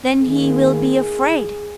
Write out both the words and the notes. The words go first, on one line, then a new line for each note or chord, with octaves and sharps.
Then he will be afraid!
D#3 A#3 G#4